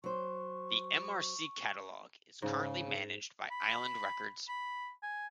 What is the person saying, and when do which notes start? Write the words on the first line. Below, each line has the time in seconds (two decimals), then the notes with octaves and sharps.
The EmArcy catalogue is currently managed by Island Records.
0.04 F#3 C5 C#6
2.42 G#2 C#3
3.51 B5
4.48 B5
5.03 G#5